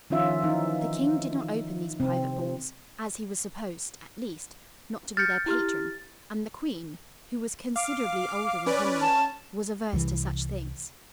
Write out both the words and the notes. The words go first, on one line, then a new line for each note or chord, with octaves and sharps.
The king did not open these private balls, as he was supposed, at least, not to be their patron, and the queen, who was considerably older than Henry, was averse to such things.
D#3 F3 C#4 F4 E5
E3 D#4
C3 C4
F6 G6 A6 C#7
E4 G4 F6
F5 D6
C#4 B4 D5
C#4 A5
C2 E3